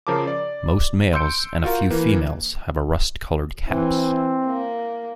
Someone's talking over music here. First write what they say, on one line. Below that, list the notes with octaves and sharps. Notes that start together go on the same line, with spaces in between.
Most males and a few females have a rust-colored caps.
C#3 F3 A#4 A5 D6
D5
C6 E6 G6 C#7 D7
F4 F#4 A#4
E3 A#3
E3 C4
A#3